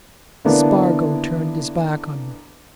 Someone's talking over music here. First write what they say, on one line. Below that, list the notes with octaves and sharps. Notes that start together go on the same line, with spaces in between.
Spargo turned his back on him.
D3 E3 A#3 B3 D4